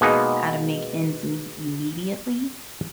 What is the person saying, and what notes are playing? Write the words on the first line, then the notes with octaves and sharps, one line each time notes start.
how to make ends meet immediately,
B2 G#3 A#3 B3 D#4 G#4